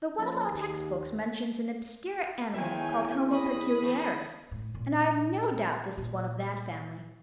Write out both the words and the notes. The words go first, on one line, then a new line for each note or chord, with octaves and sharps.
But one of our text-books mentions an obscure animal called Homo Peculiaris, and I have no doubt this is one of that family.
F3 A#3 C#4
D#2
E2 D#3 E3 C#5 E5 G5 G#5
G2 D#5 B5 D#6
E3 A3 C4
A2
A#2
A#2